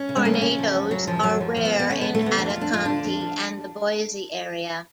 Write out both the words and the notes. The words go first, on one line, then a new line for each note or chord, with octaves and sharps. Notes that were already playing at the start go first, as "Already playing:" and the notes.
Tornadoes are rare in Ada County and the Boise area.
Already playing: C#4
C#3
G#3
F3 A3
B3
C#3 C#4
F3
F#2
C#3 F#3
F#2 F3
F#2 F#3
F3
F3
B3
F2
B3
D3 C#4
F2 B3
A3
D3 B3
F2 D4
F4
F2
D4
F2 F4
D3 D4
F2
F3